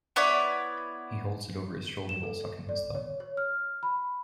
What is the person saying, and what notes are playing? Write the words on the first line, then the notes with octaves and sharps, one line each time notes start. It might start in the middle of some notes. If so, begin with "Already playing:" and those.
He holds it over his shoulder while sucking his thumb.
B3 E4 C#5 D5
E7
A4
D5
C#5
C#5
F6
B5